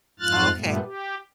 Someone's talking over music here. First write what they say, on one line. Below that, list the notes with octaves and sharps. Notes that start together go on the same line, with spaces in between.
Oh, okay.
F2 G#2 F4 F6 F#6 A6
G2 A#2 G3 A3 B3
G4